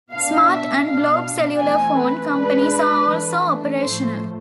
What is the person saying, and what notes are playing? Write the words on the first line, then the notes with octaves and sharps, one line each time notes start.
Smart and Globe cellular phone companies are also operational.
B2 B3 D4 F5
E5
B2 B3 D4 F5
E3 A3 C4 G#5
B4
B2 G#3 D4 B4
E3 A3 D4
A2 F3 A3 C5